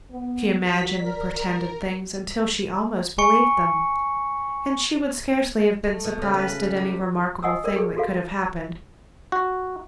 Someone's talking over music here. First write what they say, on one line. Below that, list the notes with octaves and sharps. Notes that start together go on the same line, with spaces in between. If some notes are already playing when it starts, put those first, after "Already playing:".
She imagined and pretended things until she almost believed them, and she would scarcely have been surprised at any remarkable thing that could have happened.
B3
F#3 B6
A#4 D5
G#5 C#6 C#7
A3
B2
C#3
B4
G3
D#5 F#5 G#5 D#6 E6
A4 A#4 D5
G#4 A4
F#4 A4 F5
F#4